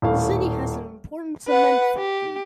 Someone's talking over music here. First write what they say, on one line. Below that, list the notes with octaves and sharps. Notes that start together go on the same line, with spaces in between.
The city has an important cement factory.
D#1 A2 F5
B4 F#5
G4